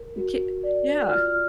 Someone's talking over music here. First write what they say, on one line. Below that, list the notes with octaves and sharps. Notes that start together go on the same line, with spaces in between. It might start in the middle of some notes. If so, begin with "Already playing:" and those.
We c yeah.
Already playing: A#4
F#4
D5
F4 F6